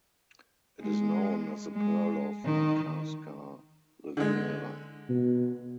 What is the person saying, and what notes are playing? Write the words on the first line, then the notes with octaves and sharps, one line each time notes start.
It is known as the pearl of Makarska riviera.
G#3
G#3
D#3
D3 G#3
B2